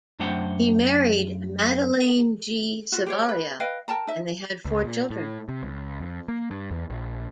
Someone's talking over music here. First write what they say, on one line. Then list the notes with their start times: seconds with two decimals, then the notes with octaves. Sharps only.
He married Madeleine G. Savaria and they had four children.
0.19 F#2 A3 D4 C5 F#5 G5
2.92 F4 F#4
3.06 G4 C5 C#5
3.29 B4
3.60 B4 D#5 F5 G5
3.88 A#4 G5 A5 A#5
4.07 D#4 E5
4.65 C#2
4.84 A#2
5.10 A2
5.49 C3
5.63 C#2
6.00 F2
6.28 A#3
6.51 G2
6.71 E2
6.90 A#1